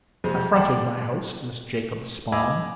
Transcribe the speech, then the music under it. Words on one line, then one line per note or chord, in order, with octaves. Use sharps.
I fronted my host, this Jacob Spawn.
F2 C3 G3 G#3 C4
D5 F#5 G5 A5 C6 D6
D#5 F5 G#5 B5 D6 E6